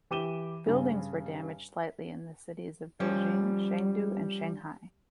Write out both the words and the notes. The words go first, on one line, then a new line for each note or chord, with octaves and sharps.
Buildings were damaged slightly in the cities of Beijing, Chengdu and Shanghai.
E3 G4 D6 D#7 E7 G7
G2 C#3
F3 G3 C#4